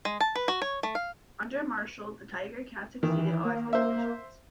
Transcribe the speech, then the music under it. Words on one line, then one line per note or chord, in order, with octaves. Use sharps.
Under Marshall, the Tiger-Cats exceeded all expectations.
G#3
A5
B4
F#4
C#5
A3
F5
D#3 E3
A#3
C5 E5